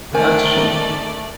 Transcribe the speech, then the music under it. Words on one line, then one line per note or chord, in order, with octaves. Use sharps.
That's a shame too.
D#3 A3 A#4 C5 D5 G#5